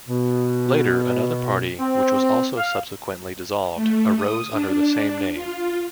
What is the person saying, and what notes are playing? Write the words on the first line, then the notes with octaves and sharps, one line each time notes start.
Later, another party, which was also subsequently dissolved, arose under the same name.
B2
C4
F5
A3
D#6
D4
F4